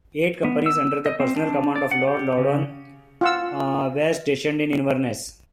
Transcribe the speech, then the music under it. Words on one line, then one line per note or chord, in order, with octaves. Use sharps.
Eight companies, under the personal command of Lord Loudoun, were stationed in Inverness.
B3
E6
D#5
C4
D4
D5
F#5
G4
C#3
F4 F#5 E6